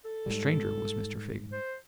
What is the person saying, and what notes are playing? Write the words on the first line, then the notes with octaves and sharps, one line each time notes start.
The stranger was Mr. Fagin.
A4
G#2 G3
C5